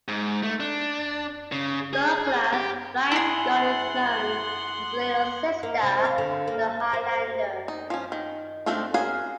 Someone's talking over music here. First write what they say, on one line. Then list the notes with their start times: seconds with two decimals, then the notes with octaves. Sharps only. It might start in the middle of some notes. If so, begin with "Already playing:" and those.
Douglass' "Flying Scot" is known as the little sister to the "Highlander".
0.08 G#2
0.43 A3
0.60 D4
1.52 C#3
1.93 G#4
2.53 G4
3.12 E4 G#4 F#5 C6
5.63 A#3
5.82 C3
6.05 F5
6.18 D3
6.48 A#3
6.93 C5
7.68 D#4
7.90 F3 C#4
8.12 D#3
8.66 D#3 A3 C4 D4 F4
8.94 C#4 F#4 G#4 A#4 F5